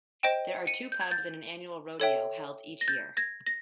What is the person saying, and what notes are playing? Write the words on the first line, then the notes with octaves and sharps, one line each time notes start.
There are two pubs and an annual rodeo held each year.
C5 D#5 G5 D7 E7
C#7 D#7
G6
G#6
G6 A6
A4 C#5 E5 G5
A#6
G6 A6
G#6 A#6
A#6